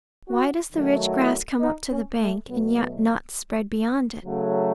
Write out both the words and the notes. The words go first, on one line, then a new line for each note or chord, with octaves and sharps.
Why does the rich grass come up to the bank, and yet not spread beyond it?
F#4
D#3 F#3 A3
E4
D#4
C#4
A3
B2 F#3 A3 B3
B3
C#3 F#3 A3